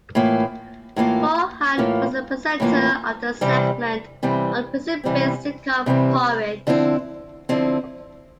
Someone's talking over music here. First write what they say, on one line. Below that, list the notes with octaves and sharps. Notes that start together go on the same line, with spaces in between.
Vaughan was the presenter of the segment on prison-based sitcom "Porridge".
A2 E3 A#3 F4
A2 E3 A#3 F4
A2 E3 A#3 F4
A2 E3 A#3 F4
C3 E3 G3 C4
C3 E3 G3 C4
C3 E3 G3 C4
C3 E3 G3 C4
D3 F3 C4 E4
D3 F3 C4 E4